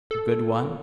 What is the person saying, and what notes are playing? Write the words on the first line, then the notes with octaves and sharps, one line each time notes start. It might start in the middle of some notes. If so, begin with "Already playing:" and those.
A good one?
A4